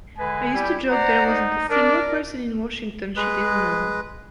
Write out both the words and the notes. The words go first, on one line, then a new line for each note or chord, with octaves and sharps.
I used to joke there wasn't a single person in Washington she didn't know.
D3 G#3 B4 G#5
G3 E4 G4
C5 D5 F#5 A#5
D#4
D4 A#4 D5
G#3 B4